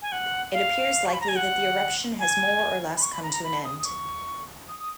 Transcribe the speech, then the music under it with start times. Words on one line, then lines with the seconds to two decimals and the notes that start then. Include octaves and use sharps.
It appears likely that the eruption has more or less come to an end.
0.02 G#5
0.12 F#5
0.53 F5
1.06 C#6
1.13 B5
1.21 A#5
1.28 G#5
1.36 F#5
2.19 G#5
2.96 B5
3.02 C#6
3.13 B5
3.23 A#5
3.29 B5
3.33 A#5
3.44 B5
3.64 D#6
3.79 D#6
3.85 C#6
4.68 D#6
4.80 D#6